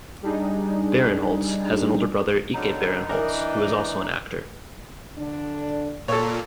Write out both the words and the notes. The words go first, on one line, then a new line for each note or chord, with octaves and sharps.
Barinholtz has an older brother Ike Barinholtz who is also an actor.
G3 D4 D#4 G#4
D3 F#3 G3 D#4
E3 D4 A#4 D#5
D3 D4
A#2 A4 C#5